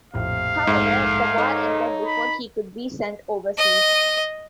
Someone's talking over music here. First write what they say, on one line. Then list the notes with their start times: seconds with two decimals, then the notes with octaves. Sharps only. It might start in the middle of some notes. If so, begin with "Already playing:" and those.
However, the war ended before he could be sent overseas.
0.14 A#1 F2 A2 C3 F5
0.67 G#2 A3
1.38 D#4 A4 C#5 D#5
2.06 B5
3.58 D#5